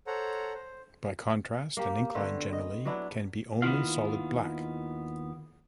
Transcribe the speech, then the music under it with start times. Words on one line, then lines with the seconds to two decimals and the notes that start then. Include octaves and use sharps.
By contrast, an ink line generally can be only solid black.
0.07 A4 C5 C#5 F#5 A#5
0.54 C5
1.77 A#3 G4
2.15 D3 A3 B3 C4
2.53 D#5
2.85 F#3 B3 D4 E4
3.62 D#2 D#3 B3 E4 F4 F5